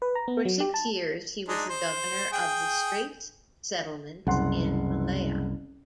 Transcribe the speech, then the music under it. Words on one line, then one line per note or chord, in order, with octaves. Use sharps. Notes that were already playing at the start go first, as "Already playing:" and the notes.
For six years, he was the governor of the Straits Settlements in Malaya.
B4
A#5
B3
F#3
G4
A5
G#3 D4 D#4
C5
G#4 G5
F#1 C2 F#5 C6